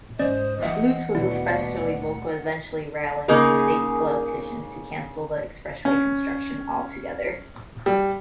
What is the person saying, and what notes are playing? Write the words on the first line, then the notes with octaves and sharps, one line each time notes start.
Lutz was especially vocal, eventually rallying state politicians to cancel the expressway construction altogether.
G#2 C#4 C5 D5 D#5
E3 E5 F#5
D#1 D2 B2 E4 D5
C#3 A#3 D#4 G#4 A#4
C#4
G3